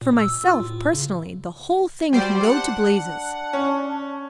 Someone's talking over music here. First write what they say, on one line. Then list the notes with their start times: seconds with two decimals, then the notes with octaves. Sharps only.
For myself, personally, the whole thing can go to blazes.
0.02 A#2
0.17 E6
0.44 F4
0.60 A2
0.93 C#3
2.13 G3 F#4 C5 D5
2.43 D4 F#5
3.53 C#4